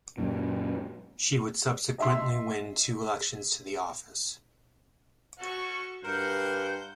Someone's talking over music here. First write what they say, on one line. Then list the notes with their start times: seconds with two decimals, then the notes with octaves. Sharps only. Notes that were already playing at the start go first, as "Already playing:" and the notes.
She would subsequently win two elections to the office.
0.18 F#2 A#2
1.98 D#5 E5 C6
5.38 C#4 F#4 A4 C#6
6.04 G2 A#4 C5 F#5 G6